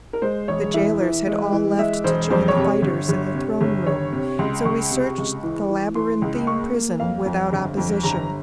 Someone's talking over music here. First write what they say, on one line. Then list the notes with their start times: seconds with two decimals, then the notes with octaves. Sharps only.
The jailers had all left to join the fighters in the throne room, so we searched the labyrinthine prison without opposition.
0.13 A#4
0.22 G#3 C5
0.48 E1 C#5
0.74 E3 E5
1.00 E3
1.27 G#3
1.52 E3
1.78 G#3 E5
2.04 E1 C5
2.30 F2 C5
2.48 C#5
2.56 C3
2.65 C#5
2.82 G1
3.09 G1
3.35 C3
3.61 G1
3.87 G1 C#5
4.12 C3
4.39 C#2 C6
4.65 C#2 C#6
4.91 C3
5.18 C#2
5.43 E3
5.69 E3
5.95 E3 C6
6.22 C#2
6.47 A#3 C#6
6.73 A#3
7.00 F2 F5
7.25 F2
7.52 G1
7.77 F2
8.03 G1 A#5